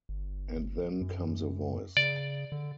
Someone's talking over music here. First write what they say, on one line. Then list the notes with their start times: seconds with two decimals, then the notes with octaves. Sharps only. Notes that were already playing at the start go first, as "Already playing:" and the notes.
And then comes a voice.
0.09 G1
1.01 F#2
1.97 C#3 D5
2.52 D3